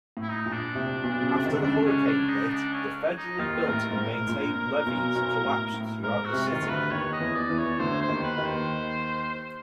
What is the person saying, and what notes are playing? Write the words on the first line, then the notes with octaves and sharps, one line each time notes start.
After the hurricane hit, the federally built and maintained levees collapsed throughout the city.
A2
E4
D#4
A#1 A#2
D4
C2 C3
B1 B2
C#3
C2 C3
D#3
D3
C#2 C#3 D4
C#4
D4
D#4
D4
C#4
D#4
D#2 D#3 F4
A2 A#4
G#2
A2 A#4
A#1 A#2
B1 B2
B1 B2
A2
A2
G#2 A#4
F#4
C2 C3
D#3 F4
D2 D3
B4
D#2 D#3 C#5
D#5
E2 E3
D5
E2 E3
C#5
D2 D3 C5
C5
D#2 D#3
B4
D#2 D#3
C5